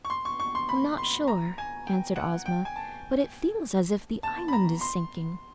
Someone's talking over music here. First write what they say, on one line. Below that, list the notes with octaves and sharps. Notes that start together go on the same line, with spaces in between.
"I'm not sure," answered Ozma "but it feels as if the island is sinking."
C#6
C6
C#6
C#6
C6
B5
C6
A#5
G#5
G5
F#5
G5
G#5
A5
A5
B5
A#5
C6